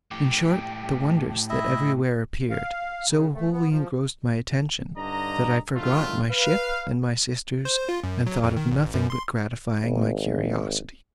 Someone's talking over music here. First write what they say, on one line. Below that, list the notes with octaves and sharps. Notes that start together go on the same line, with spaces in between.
In short, the wonders that everywhere appeared so wholly engrossed my attention, that I forgot my ship and my sisters, and thought of nothing but gratifying my curiosity.
A2 G4
E4 D#5 E5
F5
C#3
A3
B3
F3
G2 D3 D#4 D#5 A#5
G1 D2 D#3 A3 F4
B4 F5
C5
F4
F#2
F#3
F2
D#3
A1
F#2
C6
G#1